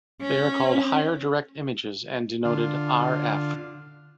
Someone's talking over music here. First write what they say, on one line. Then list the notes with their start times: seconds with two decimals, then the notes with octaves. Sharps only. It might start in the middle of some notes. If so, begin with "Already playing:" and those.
They are called higher direct images and denoted "R f".
0.21 C#4
2.45 D3 F4